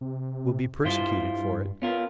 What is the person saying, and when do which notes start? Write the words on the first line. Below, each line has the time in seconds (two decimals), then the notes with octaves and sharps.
We'll be persecuted for it.
0.01 C3
0.85 G2 E4 F4 C5
1.82 B3 C#4 F4 A#4